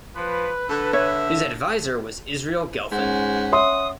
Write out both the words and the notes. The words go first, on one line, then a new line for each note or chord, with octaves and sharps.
His adviser was Israel Gelfand.
F3 B4
D3 A4
C#5 E5
G#2 C#4 F#5
C#5 E5 C6 D#6